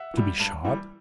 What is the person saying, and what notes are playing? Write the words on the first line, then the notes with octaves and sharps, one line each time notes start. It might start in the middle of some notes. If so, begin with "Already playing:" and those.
To be shot?
Already playing: E5 F#5
E3 G3
G2
E3 G3